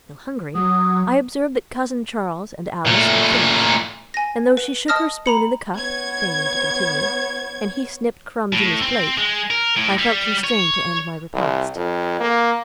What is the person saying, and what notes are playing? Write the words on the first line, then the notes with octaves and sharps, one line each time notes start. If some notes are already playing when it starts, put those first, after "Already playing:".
Still hungry, I observed that Cousin Charles and Alice had finished; and though she shook her spoon in the cup, feigning to continue, and he snipped crumbs in his plate, I felt constrained to end my repast.
F#3 D#6
A#2 A3
G#5 A#6
B4
D#5 A5 D#6 F6 A#6
A#5 B5 C#7
B3 C#5 G#6
A2
C4
G#3
A#4
A2
G3
C#5
C2
F2
A#3